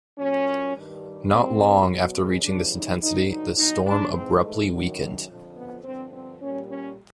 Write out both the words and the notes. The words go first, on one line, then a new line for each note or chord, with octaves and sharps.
Not long after reaching this intensity, the storm abruptly weakened.
A#2 F#3 C#4
G2 D#3 G3
A#2 G3 C4
B2 F#3
G#3
E2 C#3 E3 G3 D4
D#4
G2 D3 F#3 D#4
D#4
B2 F#3 D#4
D4
G#2 E3 G#3 C4
A3
F#2 D#3 F#3
F2 D3 F3
B3
G2 D3 F3 C4
C4
A#2 G3 C#4
C#4